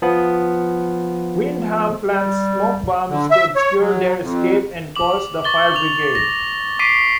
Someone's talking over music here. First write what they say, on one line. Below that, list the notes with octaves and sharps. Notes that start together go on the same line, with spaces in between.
Windham plants smoke bombs to obscure their escape and calls the fire brigade.
F3 B3
G3
D3
E5
C#5
F#3
F2
D6 F#7
C#6 A6 G7
F7
A#6
C#6 D6 B6 C7 D7 D#7